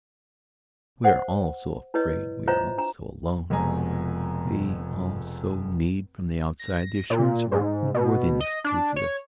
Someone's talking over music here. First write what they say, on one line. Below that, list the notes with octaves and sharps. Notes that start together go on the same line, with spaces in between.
We are all so afraid, we are all so alone, we all so need from the outside the assurance of our own worthiness to exist.
C5 F#5
E4 B4 C#5 D#5
F4 C5 C#5 D#5 E5 A#5
D4 A#5
F1 F2 B2 G#3 G#5 A#5
A#6
A#2
G#2
B2
D#5
D4
C#5